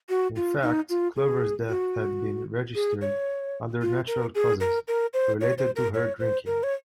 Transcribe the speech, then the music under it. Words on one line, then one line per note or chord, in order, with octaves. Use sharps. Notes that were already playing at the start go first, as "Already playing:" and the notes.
In fact, Clover's death had been registered under natural causes, related to her drinking.
F#4
F4
D#4
F4
G#4
F#4
G#4
C#5
F4
A#4
G#4
A#4
A#4
C5
C#5
C5
A#4
C#5
C5
A#4
C#5